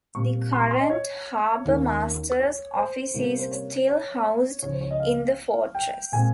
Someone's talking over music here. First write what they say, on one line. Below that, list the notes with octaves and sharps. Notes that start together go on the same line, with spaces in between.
The current harbor master's office is still housed in the fortress.
A#2 G3 C4 C#6
C6
C#6
C6
D#5
C#5
D#2 D#3 A#3 C#4
C#5
C5
C3 G3 A#3 C#4
C5
C#5
C#5
C#2 C#3 F3 C#5
C5
C#5
D#5
F5
G5
A#2 G#3 C4 G#5